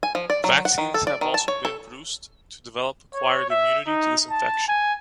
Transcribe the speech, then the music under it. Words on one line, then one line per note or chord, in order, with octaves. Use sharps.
Vaccines have also been produced to develop acquired immunity to this infection.
G#5
F3
D5
F#3
F#5
D#3
A4
D5
D#3
A5
C#5
A4
C#5
E5
D#4
A5
G#5